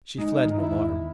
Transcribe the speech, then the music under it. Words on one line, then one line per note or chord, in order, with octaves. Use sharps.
She fled in alarm.
G#3 D#4
D#3
E4
E2